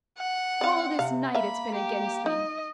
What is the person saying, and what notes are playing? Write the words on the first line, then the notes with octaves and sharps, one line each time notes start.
All this night it's been against me!
F#5
C4 D5 F5
C3 F5
A#3 E5 F5 B5
G4
D#4 D#5